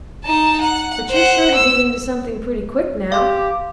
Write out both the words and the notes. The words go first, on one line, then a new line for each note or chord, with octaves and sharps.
"But you're sure to get into something pretty quick now."
D#4 A5
F#5
C5 F#5
E6
G4 F5 C6